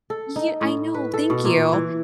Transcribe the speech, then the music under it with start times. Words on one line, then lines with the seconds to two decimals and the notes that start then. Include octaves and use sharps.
y I know, thank you.
0.10 A4
0.36 D#4
0.61 A2
0.94 B4
1.14 A4
1.30 B2
1.45 A#2
1.73 E3